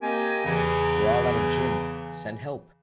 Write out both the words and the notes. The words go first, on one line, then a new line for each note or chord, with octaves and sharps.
We’re all out of gin: send help!
A#3 C4 G4 A#4 D#5 G#5
E2 C#3 E3